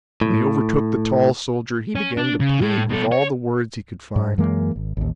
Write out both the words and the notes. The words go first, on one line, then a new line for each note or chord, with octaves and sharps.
When he overtook the tall soldier he began to plead with all the words he could find.
A2
C#4
D4
C#3
A2
B2 A4
C#5
G#2
F#2 E3 G#3 A#3
G#1
A1 D#2